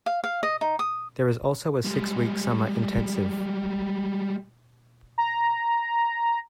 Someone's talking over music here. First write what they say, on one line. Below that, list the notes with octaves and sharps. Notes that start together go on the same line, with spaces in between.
There is also a Six Week Summer Intensive.
F5
F5
D#5
D#4
D#6
G3 G#3
A#5